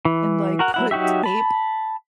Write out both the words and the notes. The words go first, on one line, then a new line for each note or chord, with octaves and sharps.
and, like, put tape
E3
F#4 A#4 F#5
F#3 E4 F#5
F#3 D#4 F#4 G4 E5
A5 B5